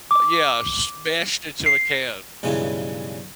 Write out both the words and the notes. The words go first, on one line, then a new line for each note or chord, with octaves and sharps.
yeah, smashed into a can.
D6
C7
B1 G2 C#3 E3 G#3